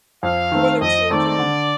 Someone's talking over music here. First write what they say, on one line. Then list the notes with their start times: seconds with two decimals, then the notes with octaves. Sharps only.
For their children
0.23 F2 F5
0.52 D#3 A3 C4
0.81 F2 D#5
1.10 D#3 A3 C4 D5
1.39 D3